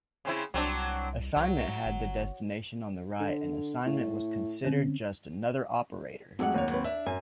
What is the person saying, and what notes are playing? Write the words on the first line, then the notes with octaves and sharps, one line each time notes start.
Assignment had the destination on the right and assignment was considered just another operator.
C#3 C4 E4
C2 F#3 C4 D4
C2 F#3
G1
D3
A2
D3 C4 C#4
F2 F#3 G#3 A3 D5 F#5
D#2 C#5
F#3 C4 B4
D4 E5
F#2 G#5